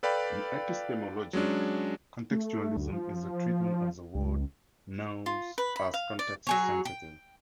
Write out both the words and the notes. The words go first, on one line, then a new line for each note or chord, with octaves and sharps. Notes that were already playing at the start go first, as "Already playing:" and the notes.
In epistemology, contextualism is the treatment of the word 'knows' as context-sensitive.
A4 B4 D5 F5 G5 B5
F#3 G#3 C#4 D4
A3
D2
F3
C#2
F4
B4
B5
F5
D5
F#3 G#4 C#5
G5